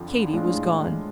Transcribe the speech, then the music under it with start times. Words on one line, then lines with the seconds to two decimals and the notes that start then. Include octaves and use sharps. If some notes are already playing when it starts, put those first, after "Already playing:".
Katy was gone.
Already playing: F2 D3 F3
0.33 A2 G#3 D4 F4